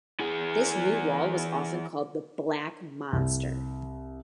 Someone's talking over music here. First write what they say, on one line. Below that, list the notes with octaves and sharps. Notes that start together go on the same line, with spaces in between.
This new wall was often called The Black Monster.
E3 G#4
C2